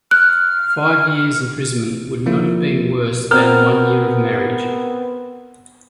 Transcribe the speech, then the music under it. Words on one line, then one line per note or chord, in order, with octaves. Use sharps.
Five years' imprisonment would not have been worse than one year of marriage.
F6 F#6
F3 A#3 E4 F4
B3 C4 A#4 F6